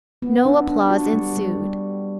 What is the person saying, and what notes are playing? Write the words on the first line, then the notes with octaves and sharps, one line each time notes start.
No applause ensued.
B3
D4
D4
F#4
G3
G3